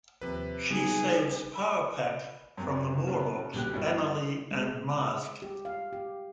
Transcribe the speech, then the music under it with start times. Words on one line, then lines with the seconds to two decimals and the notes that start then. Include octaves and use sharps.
She saves Power Pack from the Morlocks Annalee and Masque.
0.21 D#2 C3 F3 B4
0.70 C#3 G3 B3 D#4 G#4
1.54 B5 E6
2.58 F#2 C3
3.07 C#3 F#3 B3
3.54 B1 D3 G3 G4 G5 F#6
3.74 G2 B2 E4 A#4 C#5
4.51 G#3
5.42 G4
5.65 F5
5.93 G4